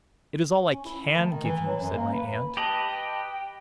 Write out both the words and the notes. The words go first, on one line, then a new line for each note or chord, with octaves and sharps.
'It is all I CAN give you,' said my aunt.
C#4
E4
D#3
A3
D#3
E3
F#3
F#2
A#3
B4
G4 B4 D#5 A5
G5